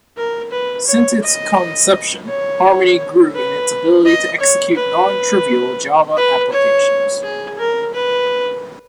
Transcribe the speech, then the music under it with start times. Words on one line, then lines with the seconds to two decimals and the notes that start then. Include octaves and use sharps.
Since its conception, Harmony grew in its ability to execute non-trivial Java applications.
0.17 A#4
0.51 B4
0.87 C#5
1.23 D#5
2.29 C#5
3.35 B4
4.05 D#5
4.40 C#5
4.75 B4
6.17 B4
6.52 C#5
7.23 G#4
7.59 A#4
7.94 B4